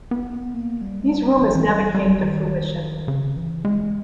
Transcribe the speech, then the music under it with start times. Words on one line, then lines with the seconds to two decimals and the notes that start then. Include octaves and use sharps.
These rumors never came to fruition.
0.11 B3
0.54 A#3
0.81 G3
1.00 G#3
1.10 G3
1.39 E3
1.55 E3
1.66 G3
1.95 G3
2.23 D#3
3.08 C#3
3.36 E3
3.65 G#3